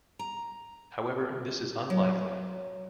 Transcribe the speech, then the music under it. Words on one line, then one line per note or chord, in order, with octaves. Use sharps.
However this is unlikely.
A#5
F#3